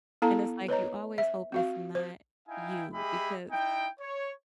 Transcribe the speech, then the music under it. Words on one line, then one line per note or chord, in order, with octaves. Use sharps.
and it's like you always hope it's not you because
B3 E4 A4 A5 A#5
B4 C#5 D#5 A#5
E5
C4 F#4 F5
C5
D#4 E4 F5 G5 G#5
G#3 G4 G#4 E5 B5
D#4 E4 G5
C#5